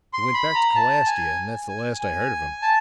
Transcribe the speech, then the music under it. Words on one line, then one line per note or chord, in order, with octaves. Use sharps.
"He went back to Calastia, and that's the last I heard of him."
C6
B5
A#5
A5
G#5
G#5
G#5
A5